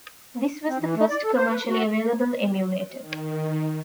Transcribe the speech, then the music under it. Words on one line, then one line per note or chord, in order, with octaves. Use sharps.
This was the first commercially available emulator.
C4
E3
A3
D5
A4
C5
B4
F#4
D#3